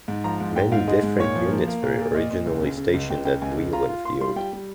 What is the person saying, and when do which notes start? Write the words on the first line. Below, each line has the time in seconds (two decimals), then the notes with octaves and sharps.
Many different units were originally stationed at Wheeler Field.
0.08 G#2
0.24 F3 A#5
0.40 G#2
0.56 G#2 G5
0.72 G#2 F5
0.88 G#3 D#5
1.03 G#2
1.19 A#2 C#5
1.36 F3
1.51 A#3
1.68 A#3
1.83 A#2
1.99 A#2
2.15 A#2 D#5
2.31 A#2
2.46 C#2
2.62 C#3
2.77 C#3
2.94 C#2
3.10 C#2 G5
3.25 C#3 G5
3.42 C#2 G#5
3.58 C#3
3.73 F4 A#5
3.89 F4
4.05 F4 C6
4.21 G3 C6
4.36 G3 G5
4.53 G3